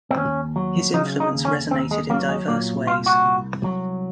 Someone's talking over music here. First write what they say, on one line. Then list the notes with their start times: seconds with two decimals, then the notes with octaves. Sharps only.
His influence resonated in diverse ways.
0.11 C4
0.16 D#2 C#4
0.56 F#3
0.93 C#3 D#4
1.20 D#4
1.33 D#2
1.45 C#4
1.71 D#2 C4
1.91 G#3
2.10 F#3 A#3
2.29 G#3
2.48 A#2 A#3
2.86 C2 F4
3.06 F#4
3.26 C2
3.64 F#3